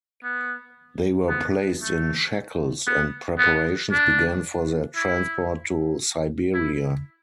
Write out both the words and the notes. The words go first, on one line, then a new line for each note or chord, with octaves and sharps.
They were placed in shackles, and preparations began for their transport to Siberia.
B3
B3
A3
B3
B3
D4
E4
E4